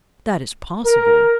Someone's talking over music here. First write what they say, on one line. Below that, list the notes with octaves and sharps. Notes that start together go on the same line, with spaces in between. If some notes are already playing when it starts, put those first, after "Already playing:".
"That is possible."
A#4